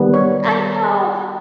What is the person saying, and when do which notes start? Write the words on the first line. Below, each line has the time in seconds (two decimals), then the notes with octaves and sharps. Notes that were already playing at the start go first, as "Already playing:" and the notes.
I know,
Already playing: D#3 G3 B3
0.14 C#5